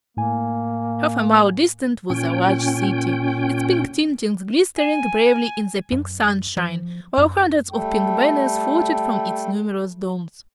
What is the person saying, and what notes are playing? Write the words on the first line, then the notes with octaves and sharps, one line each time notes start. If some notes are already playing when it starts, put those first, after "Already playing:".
Half a mile distant was a large City, its pink tintings glistening bravely in the pink sunshine, while hundreds of pink banners floated from its numerous domes.
A2 A#3 G#5
A#2 C#4 G5
G#5
F#2
F3
F#2
G3 A3 A4 G5